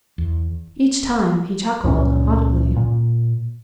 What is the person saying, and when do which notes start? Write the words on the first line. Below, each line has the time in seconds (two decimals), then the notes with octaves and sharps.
Each time he chuckled audibly.
0.18 E2
1.84 C#2 F#2 A#2 C#4
2.76 A#2